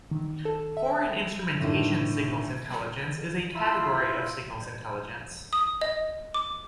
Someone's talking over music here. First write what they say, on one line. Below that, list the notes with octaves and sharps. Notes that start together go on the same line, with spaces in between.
Foreign instrumentation signals intelligence is a category of signals intelligence.
D#3
A4
E5
A2 D3 D#3
E4 F4 C6
D#6
D#5
D6